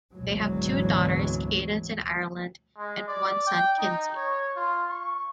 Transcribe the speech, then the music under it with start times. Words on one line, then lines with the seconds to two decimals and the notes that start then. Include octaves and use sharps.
They have two daughters, Cadence and Ireland and one son Kinzy.
0.13 G#1 D2 G#2 B2 E3 F#3
2.77 G#3
3.08 D5
3.47 G5
3.78 D#4
4.16 C#5
4.56 F4
4.89 C#6